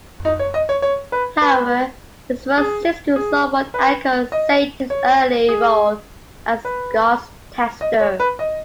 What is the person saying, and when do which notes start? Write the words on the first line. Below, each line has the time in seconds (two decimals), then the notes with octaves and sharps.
However, this verse seems to somewhat echo Satan's early role as God's tester.
0.25 D#4
0.39 C#5
0.54 D#5
0.69 C#5
0.82 C#5
1.12 B4
1.42 B4
2.58 G#4
3.16 G#4
3.74 B4
4.32 D#5
4.90 C#5
5.49 G#4
6.65 B4
7.81 D#5
8.00 C#5
8.20 B4
8.39 D#5